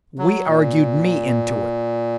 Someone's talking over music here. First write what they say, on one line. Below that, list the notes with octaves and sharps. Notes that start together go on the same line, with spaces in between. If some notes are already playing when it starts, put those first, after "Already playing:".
We argued me into it.
F#3
A#2